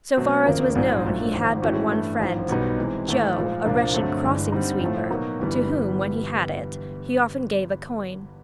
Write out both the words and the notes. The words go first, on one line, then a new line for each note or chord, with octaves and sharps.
So far as was known, he had but one friend--Joe, a wretched crossing sweeper, to whom, when he had it, he often gave a coin.
B2 F#3 A3 C4
E1 D#2 C#3 F3 A#3
A#1 G#2 F3 G#3 C4
A#1 A#2 F#3 A3 D4
G#1 G#2 F3
A2 E3 A3 C#4 F#4
G2 E3 A3
A1 G#2 F3
B1 B2 G3 B3 D#4
C3 E3 G#3
G#1 G#2 E3 A3
A#2 F3 G#3
C2 A#2 F3 A#3 D4
G2 D3 F#3 A3 C4
G1 G2 E3 G#3
D3 G3 C4 D#4
A2 F3 A3
B2 F#3 A#3 D#4 F#4
G1 G2 E3 G3 B3